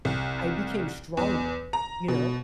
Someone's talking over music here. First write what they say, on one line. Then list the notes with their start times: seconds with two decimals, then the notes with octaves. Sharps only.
I became stronger, you know.
0.05 C2
1.17 E2
1.73 A#5
2.08 B2